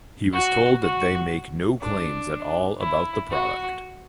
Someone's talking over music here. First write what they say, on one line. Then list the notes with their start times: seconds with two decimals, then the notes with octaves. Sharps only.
He was told that they make no claims at all about the product.
0.33 F#4
0.82 F#4
1.82 D4
2.81 E4
3.31 F#4